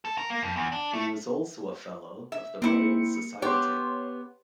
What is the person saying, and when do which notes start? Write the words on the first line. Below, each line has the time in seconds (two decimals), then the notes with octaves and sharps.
He was also a fellow of the Royal Society.
0.05 A4
0.18 A#4
0.30 A#3
0.43 F2
0.56 E2
0.72 D4
0.93 A3
2.32 E5
2.62 A#3 C4 E4 C#7
3.42 B3 G4 C#5 C6